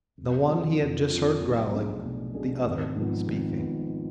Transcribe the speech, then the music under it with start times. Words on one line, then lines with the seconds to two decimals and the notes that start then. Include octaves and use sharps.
The one he had just heard growling, the other speaking.
0.18 F1
0.48 F2 F3
0.80 F1
1.10 F2 F3
1.41 B1
1.73 B2 A3 D4 G#4
2.03 B1
2.34 B2 A3 D4 G#4
2.66 G#1
2.96 G#2 F3 B3
3.27 G#1
3.58 G#2 F3 B3